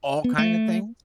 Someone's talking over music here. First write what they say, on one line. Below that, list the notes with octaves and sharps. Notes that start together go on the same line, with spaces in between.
all kinda things?
B3
A3